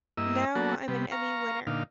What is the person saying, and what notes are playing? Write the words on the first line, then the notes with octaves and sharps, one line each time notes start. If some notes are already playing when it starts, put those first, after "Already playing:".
Now I'm an Emmy winner.
G2 A#3 E4 D#5 E6
F#3 A#3 B3 F#4 A4
C3 G3 B3
F5 A#5 C#6
A#2 D3 D#4 F5